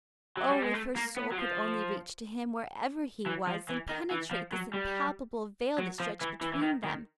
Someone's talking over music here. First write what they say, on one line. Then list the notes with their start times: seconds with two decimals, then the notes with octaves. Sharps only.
Oh, if her soul could only reach to him, wherever he was, and penetrate this impalpable veil that stretched between them!
0.37 F#3
0.49 G3
0.62 G#3
0.74 A3
0.96 A#3
1.17 B3
1.32 F#3
1.38 F3
3.26 E3
3.47 F3
3.69 E3
3.89 D#3
4.11 E3
4.31 F3
4.52 F#3
4.74 G3
5.78 F#3
6.00 F3
6.21 E3
6.41 E3
6.54 E3
6.63 D#3
6.84 D#3